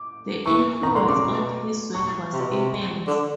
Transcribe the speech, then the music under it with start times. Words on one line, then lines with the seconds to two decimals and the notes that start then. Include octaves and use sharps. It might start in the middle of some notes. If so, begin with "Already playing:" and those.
The influence of his work was immense.
Already playing: D6
0.46 E3 C#6
0.82 D#3 A#5
0.95 D3 C6
1.08 C#3 D6
1.20 B2
1.95 C#6
2.33 C3
2.41 B2
2.51 C3
2.70 C6
3.07 D3